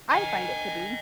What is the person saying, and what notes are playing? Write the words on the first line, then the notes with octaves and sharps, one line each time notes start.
I find it to be.
D#5 G5 G#5